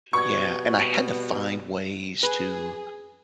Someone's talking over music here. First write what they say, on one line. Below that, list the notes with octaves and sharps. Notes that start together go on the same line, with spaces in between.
Yeah, and I had to find ways to
B2 G3 B3 C#6 G#6
G#4 B4